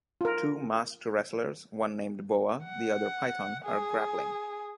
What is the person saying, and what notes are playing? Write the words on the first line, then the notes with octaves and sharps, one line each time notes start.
Two masked wrestlers, one named "Boa" the other "Python", are grappling.
F4 A#4
F#5
G#4